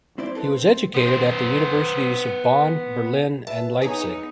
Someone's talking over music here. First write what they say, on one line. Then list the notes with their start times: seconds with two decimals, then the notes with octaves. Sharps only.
He was educated at the universities of Bonn, Berlin, and Leipzig.
0.18 C4 E4 C5 D5
0.35 C4 A4 B4
0.56 C4
0.95 B3 C5
3.47 B4 E5 A5
3.82 B3 D#4 G#4 C#5 A#5